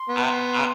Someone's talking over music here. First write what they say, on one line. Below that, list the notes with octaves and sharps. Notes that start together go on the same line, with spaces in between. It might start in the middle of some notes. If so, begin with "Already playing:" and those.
I I
Already playing: C6
B3